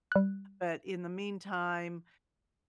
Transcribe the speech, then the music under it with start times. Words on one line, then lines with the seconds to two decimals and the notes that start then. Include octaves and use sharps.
but in the meantime,
0.12 G3 F#6